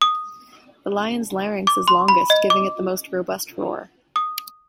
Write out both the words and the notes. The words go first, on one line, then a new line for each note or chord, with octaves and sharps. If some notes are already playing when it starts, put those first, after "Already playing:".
The lion's larynx is longest, giving it the most robust roar.
D#6
D6
C6
B5
D#5
D6
D#6